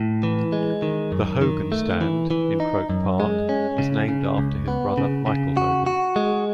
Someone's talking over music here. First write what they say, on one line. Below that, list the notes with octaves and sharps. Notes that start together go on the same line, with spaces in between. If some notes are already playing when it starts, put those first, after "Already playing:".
The Hogan Stand in Croke Park is named after his brother Michael Hogan.
Already playing: A2
E3
G#3
D#3
F#2
D#3
A3
E3
E3
D#4
F#2
G#3
C#4
C#3
C#3
C#2
B3
C#3
C#3
F#4
F#4
G#3